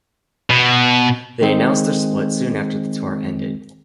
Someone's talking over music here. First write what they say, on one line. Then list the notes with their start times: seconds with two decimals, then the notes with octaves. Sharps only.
They announced their split soon after the tour ended.
0.50 B2
1.41 D#3 G#3 C4